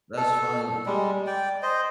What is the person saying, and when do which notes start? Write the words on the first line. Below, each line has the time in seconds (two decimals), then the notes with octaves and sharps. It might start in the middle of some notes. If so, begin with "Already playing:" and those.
that's funny.
0.17 A4
0.86 G3 G#3
1.26 D5 G5
1.62 C5 D#5